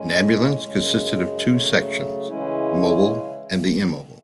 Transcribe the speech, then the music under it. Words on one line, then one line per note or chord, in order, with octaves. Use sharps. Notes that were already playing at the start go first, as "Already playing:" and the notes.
An ambulance consisted of two sections, the Mobile and the Immobile.
Already playing: A2 G#3 C#4
F#2 C#3 G#3
C#3 F#3 A3
C#3 E3 G#3 C#4 E4